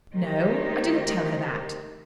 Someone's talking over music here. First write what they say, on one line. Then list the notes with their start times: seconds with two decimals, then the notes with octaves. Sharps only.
"No; I didn't tell her that."
0.13 D#3 A3 D#4 G4 A#4 C5